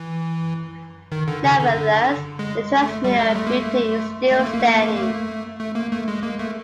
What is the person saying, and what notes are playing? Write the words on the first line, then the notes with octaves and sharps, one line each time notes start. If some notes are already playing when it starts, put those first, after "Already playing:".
Nevertheless, the transmitter building is still standing.
Already playing: E3
D#3
D3
C#3
D3
G#3
A3
G3
A3
G#3
A3
A#3
A3
A3
A#3
A3
A#3
A3
A#3
A3
A#3
A3
A#3
A3
A3
A#3
A3
G#3
A#3
A3